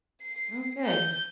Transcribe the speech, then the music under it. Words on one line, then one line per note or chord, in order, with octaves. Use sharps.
Oh, good.
C7
G6